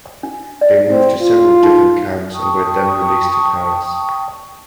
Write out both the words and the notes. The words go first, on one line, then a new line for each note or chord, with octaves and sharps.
They moved to several different camps and were then released to Paris.
D4
D5
C4
F4
D#4
G5 A5 C#6 D#6